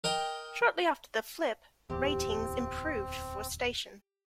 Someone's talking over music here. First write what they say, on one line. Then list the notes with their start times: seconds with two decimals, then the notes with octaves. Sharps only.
Shortly after the flip, ratings improved for station.
0.04 A#4 D#5 G5
1.90 D1 E2 C4 G4